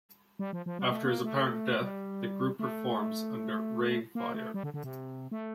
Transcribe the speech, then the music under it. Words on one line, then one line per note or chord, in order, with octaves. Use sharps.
After his apparent death, the group reforms under Reignfire.
G3
F3
F3
G3
A3
A#3
A3
G3
A3
A#3
A3
G3
D3
D3
C3
A3